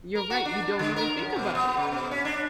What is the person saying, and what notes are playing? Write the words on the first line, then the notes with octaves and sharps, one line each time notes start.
You're right, you don't even think about it.
A#4
F#4
D4
D3
A#4
F#2
B2
B3
C#3
B2
C#4
D4